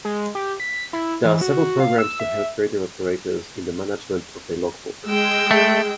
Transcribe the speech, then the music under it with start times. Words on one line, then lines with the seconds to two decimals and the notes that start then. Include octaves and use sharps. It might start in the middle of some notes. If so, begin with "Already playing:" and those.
There are several programs to help radio operators in the management of their logbook.
0.05 G#3
0.35 G4
0.60 B6
0.93 E4
1.25 E3
1.41 F#4
1.57 F#4
1.80 F5
1.98 E6
2.20 E5
5.07 G#3 G5 E6
5.51 A3